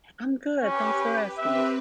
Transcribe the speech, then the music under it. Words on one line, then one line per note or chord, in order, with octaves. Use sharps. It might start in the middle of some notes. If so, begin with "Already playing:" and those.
I'm good, thanks for asking.
C#4 G4 B4
C4 G4 B4 E5